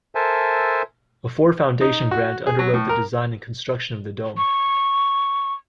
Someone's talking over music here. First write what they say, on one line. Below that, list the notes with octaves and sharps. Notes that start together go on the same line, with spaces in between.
A Ford Foundation grant underwrote the design and construction of the dome.
A4 A#4 C5 E5 G#5 A5
D#4
F#4
G#4
F#3
A2
A#4
C#6